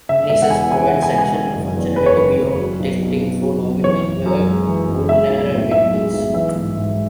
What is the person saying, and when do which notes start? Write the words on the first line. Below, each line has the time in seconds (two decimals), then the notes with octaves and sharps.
Nessus provides additional functionality beyond testing for known network vulnerabilities.
0.09 C#3 E5
0.29 E1 E5
0.42 F#5
0.50 E2 G#5
0.71 E3 G#5
0.87 F#5
0.93 C#3
1.02 G#5
1.13 E1
1.18 G#5
1.34 D#3
1.55 F#1
1.76 E2
1.96 F#1 B4
2.06 C#5
2.17 D#3 B4
2.38 F#1
2.59 F#3
2.80 B1
3.01 B2
3.22 B1
3.42 F#3
3.63 B1
3.84 E3 C#5
4.05 F#1
4.26 F#2
4.46 G#3
4.67 E3
4.88 F#1
5.09 G#3 E5
5.30 B1
5.51 A2
5.71 B1 E5
5.93 G#3
6.14 B1
6.34 E3 E5
6.55 G#1
6.76 G#2